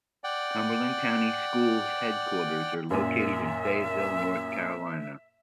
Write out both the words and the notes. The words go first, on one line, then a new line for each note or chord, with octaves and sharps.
Cumberland County Schools' headquarters are located in Fayetteville, North Carolina.
D5 F#5 G5
F#2 A#2 E5